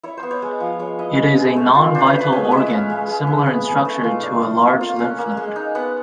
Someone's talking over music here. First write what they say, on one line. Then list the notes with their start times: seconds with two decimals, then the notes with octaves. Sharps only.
It is a non-vital organ, similar in structure to a large lymph node.
0.03 E4 C#5
0.17 C5
0.23 B3
0.31 C#5
0.42 G#3
0.60 F3
0.79 G#3 C#5
0.99 E4 D#5
1.17 C#4
1.37 G#3
1.56 A3
1.75 F4
1.95 D4 C5
2.06 B4
2.13 A3
2.19 B4
2.32 G#3 C#5
2.45 D#5
2.51 E4
2.58 E5
2.70 C#4 F5
2.90 G#3
3.08 G#3
3.27 E4
3.46 B3
3.65 G#3
3.85 A3
4.04 F4
4.22 D4 F5
4.42 A3
4.61 A#3
4.81 F4
4.99 C#4 F#5
5.18 A#3
5.37 G#3
5.56 D#4
5.75 B3 F#5